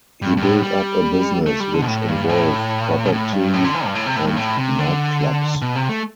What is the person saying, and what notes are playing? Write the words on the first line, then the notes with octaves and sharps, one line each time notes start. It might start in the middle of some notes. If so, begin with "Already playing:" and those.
He built up a business which involved property and nightclubs.
G2
G2
A2
G3
A3
G3
D3
B2
A2
G2
A2
B2
A2
G2
A2
D3
E3
G2
A2
C3
A2
G2
A2
C3
D3
B2
C3
A3